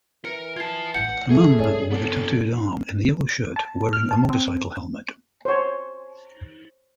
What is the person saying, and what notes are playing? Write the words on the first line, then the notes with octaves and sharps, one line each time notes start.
A man with a tattooed arm in a yellow shirt wearing a motorcycle helmet.
E3 A#4 C#7
F4 A5 G#6 C7
A1 A2 F#5 G6 C#7
A3 G#4
G2 C3 C#5 D5 G#5
D3 B3 D4
A5
F6
A5
C4
C5 C#5